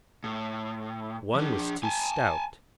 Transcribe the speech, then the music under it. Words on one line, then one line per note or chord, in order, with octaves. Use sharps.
One was too stout.
A2
F3 D4
G#5 A5